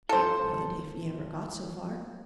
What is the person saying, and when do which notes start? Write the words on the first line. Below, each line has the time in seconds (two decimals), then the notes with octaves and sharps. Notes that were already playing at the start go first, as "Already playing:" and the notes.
"He could--if he ever got so far."
0.09 A4 C5